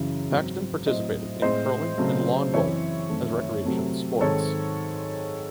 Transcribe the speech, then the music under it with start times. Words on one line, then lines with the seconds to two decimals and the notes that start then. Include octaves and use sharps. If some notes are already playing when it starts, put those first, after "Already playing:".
Paxton participated in curling and lawn bowling as recreational sports.
Already playing: F#2 C#3 E3
0.31 G#2 F#3 C4
0.87 A2 F#3 C4 C5 D#5
1.42 A2 G#3 C4 C5 D#5
1.98 C#3 F#3 A3 C4
2.54 F#2 E3 C4 C#5 E5
3.10 F#2 D#3 A3 C4
3.65 C3 F#3 A3 C4
4.21 G#2 D#3 G#3 C4 A4 C#5